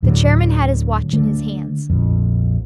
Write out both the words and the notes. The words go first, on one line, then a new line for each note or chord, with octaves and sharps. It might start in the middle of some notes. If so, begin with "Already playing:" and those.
The chairman had his watch in his hands.
D2 A2 D3 F#3
D3 A3
A#1 F2